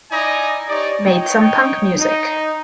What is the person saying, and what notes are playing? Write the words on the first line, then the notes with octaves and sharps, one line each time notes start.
Made some punk music.
D#4 E4 D5 G#5 A#5 D#6
D#4 G4 C#5 D5
D#4 C#5 D#5 G5
D#4